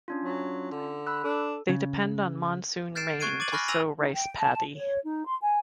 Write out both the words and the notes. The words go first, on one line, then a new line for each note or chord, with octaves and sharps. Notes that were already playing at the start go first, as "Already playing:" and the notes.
They depend on monsoon rain to sow rice paddy.
C#4 D4 F4
F#3
D3
B5 E6 F#6
D4 A4
C#3
F6 G6 A6 C7 D7 E7
C#6 F#6 G#6 C7 D7 D#7
D6 A6 D#7 F#7
G#5 B5 C#6 F6 F#6 A#6
G#5 E6 A#6 D#7 F7 F#7
D#4
G5
A5
C#5
D#4
C6
G#5